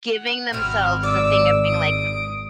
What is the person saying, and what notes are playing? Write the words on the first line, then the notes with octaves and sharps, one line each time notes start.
giving themselves the thing of being like,
F#5
G#1 C4 E4 F#4 F6
D5 D6 E6
D#6 D7